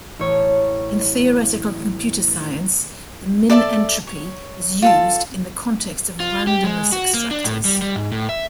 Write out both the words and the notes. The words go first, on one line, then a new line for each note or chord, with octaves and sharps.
In theoretical computer science, the min-entropy is used in the context of randomness extractors.
A1 C#5
A4 D5 E5 A5
C#5
F4 A4 A5
F4
G4
G#3
F#4
A#3
D4
A2
G3
G3
G#2
A2
E5